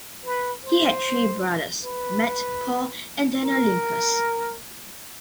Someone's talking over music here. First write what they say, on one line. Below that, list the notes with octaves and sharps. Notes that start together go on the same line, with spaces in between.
He had three brothers: Matt, Paul, and Daniel Linkous.
B4
C5
B4
A#4